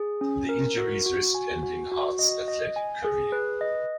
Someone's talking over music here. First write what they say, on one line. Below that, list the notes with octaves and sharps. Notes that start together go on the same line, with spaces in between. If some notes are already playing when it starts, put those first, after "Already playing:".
The injuries risked ending Hart's athletic career.
Already playing: G#4
C#4
A#4
F#4
F#4
G#5
F#4
F#4
D#5
D#5
G#5
G#4
B4
D#5